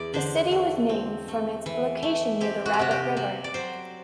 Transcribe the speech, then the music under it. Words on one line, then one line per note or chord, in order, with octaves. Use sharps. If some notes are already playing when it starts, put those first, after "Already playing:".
The city was named from its location near the Rabbit River.
Already playing: E2 D5
D3 C5
A3
C4
A3
E3
A3
C4 G4
F#4
G4
C3 F#4
G4
F#3
D5
F#3 C5